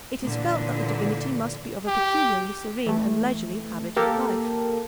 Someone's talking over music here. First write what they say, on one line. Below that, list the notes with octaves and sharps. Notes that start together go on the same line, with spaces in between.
It is felt that the divinity must be of a peculiarly serene and leisurely habit of life.
A#2 D3 E3
G4
E3 A3
A#3 G4 A4 A#4